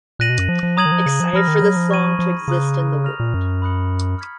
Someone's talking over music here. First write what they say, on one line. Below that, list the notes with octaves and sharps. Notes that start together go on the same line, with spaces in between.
Excited for this song to exist in the world.
A#2 F#6 A#6 D#7 F#7
B2
F#2
F3
F3
F#3 A#5 D#6 G#6 D#7 F#7
D#3
F3
C#3
F3
F3 B5 F6 A#6
D#3
F#3
F3
C#6 G#6 D#7 F#7
F3
C#3 A#5 D#6 F#6
F6 A#6 F7
A#2
F#2
B5 D#6 F#6 C#7 F#7
F6 G#6 B6